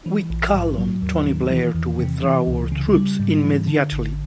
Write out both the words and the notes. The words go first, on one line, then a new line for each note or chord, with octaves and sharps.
We call on Tony Blair to withdraw our troops immediately.
E3
A#1
G#2
F#3
D#2
D#3
E3
E2
C3
E3
C#2
C#3
G3
G#2
E3
D3
G#1